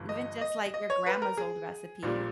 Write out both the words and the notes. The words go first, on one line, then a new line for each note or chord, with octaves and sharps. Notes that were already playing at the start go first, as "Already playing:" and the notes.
Even just, like, your grandma's old recipe.
Already playing: G1 G2 E3
D#5
D#5
D#5
C#5
B4
A#4
G#4
A#1 A#2 G3